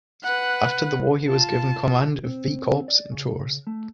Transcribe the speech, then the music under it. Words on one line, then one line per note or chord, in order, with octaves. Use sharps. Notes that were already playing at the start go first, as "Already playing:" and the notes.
After the war he was given command of V Corps in Tours.
B4 F#5
F4 A5
C4
D5
C#3
A3